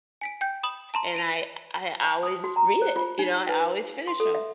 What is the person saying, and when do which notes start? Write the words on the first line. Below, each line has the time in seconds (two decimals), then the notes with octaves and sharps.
and I I always read it, you know? I always finish 'em.
0.21 G#5 B6 D7
0.41 G5 G6
0.63 B5 D#6 E7 F#7
0.94 A5 A#5 C6
1.15 D7 D#7 F7
2.05 A5
2.23 D#6
2.44 F#4
2.56 A#5
2.82 C5
2.96 F4
3.19 D#4
3.49 B4
4.07 C6
4.20 A4
4.35 E5